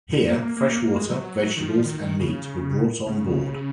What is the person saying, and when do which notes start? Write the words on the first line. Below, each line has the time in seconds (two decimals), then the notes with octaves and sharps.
Here, fresh water, vegetables and meat were brought on board.
0.28 A#3
0.43 A#3
0.57 A#3
0.72 A#3
0.87 A#3
0.97 G#3
1.09 F#3
1.20 F#3
1.57 D#3
1.68 F3
1.84 D#3
2.02 D#3
2.20 C#3
3.07 C#3